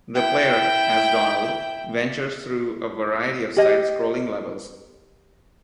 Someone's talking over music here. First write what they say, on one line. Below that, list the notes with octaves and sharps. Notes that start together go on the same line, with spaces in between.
The player, as Donald, ventures through a variety of side-scrolling levels.
E4 G5
G4 D#5